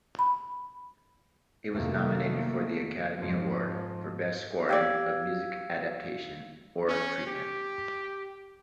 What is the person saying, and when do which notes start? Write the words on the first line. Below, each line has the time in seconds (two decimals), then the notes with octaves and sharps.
It was nominated for the Academy Award for Best Scoring of Music-Adaptation or Treatment.
0.19 B5
1.73 F1 D#3 A3 A#3
3.19 F2 G#2 F3
4.69 G4 D5 F5 E6 G#6
6.88 C#4
7.27 G4